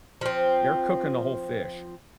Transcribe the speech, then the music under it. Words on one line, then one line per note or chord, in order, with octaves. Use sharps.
They're cooking the whole fish.
F3 C4